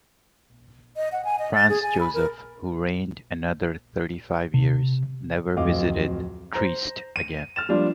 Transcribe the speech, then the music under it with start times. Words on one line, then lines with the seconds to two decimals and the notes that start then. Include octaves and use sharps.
Franz Joseph, who reigned another thirty-five years, never visited Trieste again.
0.96 D#5
1.12 F#5
1.25 G#5
1.39 D#5
1.54 A6
1.69 G#4
1.83 G#5
2.00 B5
2.14 A#4
4.54 C3
5.56 D1 F2 D#5 F5 D6
6.53 C5 A#5
7.16 D#7
7.56 F6 A6 E7
7.69 F3 G3 A#3 D4 F4